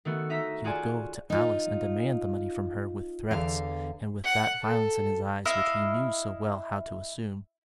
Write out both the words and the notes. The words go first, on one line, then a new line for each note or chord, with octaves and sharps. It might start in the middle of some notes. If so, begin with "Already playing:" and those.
He would go to Alice and demand the money from her with threats, and with that violence in his eyes which he knew so well how to assume.
D#3 A3 B3 F#4
D#4 E5 A#5 B6
F4 F#4 G#4 D5 G#5 A5
D#4 F4
E2 D3 F5
F#5
A4
E4 D#5 F5